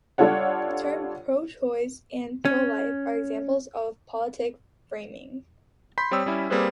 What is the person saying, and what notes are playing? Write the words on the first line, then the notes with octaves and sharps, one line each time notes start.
The terms "pro-choice" and "pro-life" are examples of political framing.
G3 D4 F4 A4 C#5 F#5
C#4
B5 C6 G6 B6
G3 C4 C#5 G5 D#6 E6
G3 C#4 E4
G3 A#3 C4 G#4 B4 C5